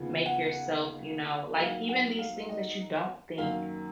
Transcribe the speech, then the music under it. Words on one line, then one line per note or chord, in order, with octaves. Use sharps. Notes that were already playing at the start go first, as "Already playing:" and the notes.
make yourself, you know like, even these things that you don't think
Already playing: D#2 C#3 F3 B3
F#5
G#2 F#3 A#3 F5
F#5
F5
D#5
F#2 D#3 F#3 A#3 F5